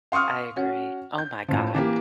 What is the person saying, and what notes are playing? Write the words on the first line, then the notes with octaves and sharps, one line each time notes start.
I agree. Oh my god.
F5 C6 C#6 D#6 F6
C#4 F#4
G6
A2 F3
E3 A#3 G4